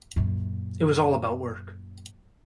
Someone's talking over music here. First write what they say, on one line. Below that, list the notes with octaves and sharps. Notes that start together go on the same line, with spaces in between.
It was all about work.
F#2 A#2